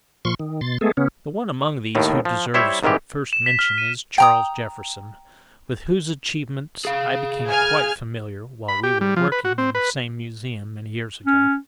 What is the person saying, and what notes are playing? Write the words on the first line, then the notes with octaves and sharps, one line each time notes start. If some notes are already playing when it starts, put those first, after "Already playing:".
The one among these who deserves first mention is Charles Jefferson, with whose achievements I became quite familiar while we were working in the same museum many years ago.
A#2 F3 C6 C#6
D#3
B2 C6 A6
G#3 A3 B3 G#4 A4
C#3 B3 C#4
D#2 A2 D#3
F3
G3 E4 C5 C#5 E5
C2 G#2 D#3 E3 G4
E7
B6
F6
D#7
G5 A#5 D#6
G#4 F5
G#5 F6 G#6
B5
G4
G3
F3
B4
F#4
C4
B4
C#4